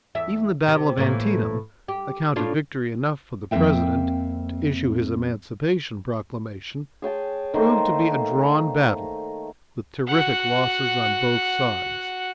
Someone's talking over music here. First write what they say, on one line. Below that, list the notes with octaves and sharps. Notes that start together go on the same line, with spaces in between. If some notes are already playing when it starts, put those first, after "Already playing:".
Even the battle of Antietam, accounted victory enough for the President to issue his Emancipation Proclamation, proved to be a drawn battle, with terrific losses on both sides.
E2 E5
C3
A2 E3 A#3
G4
A2 D4 F4
F2 A#3 C4 B4 E5 G5
G#4 C#5 G5 A5
D#3 A3 A#3 C5
F#4 F#5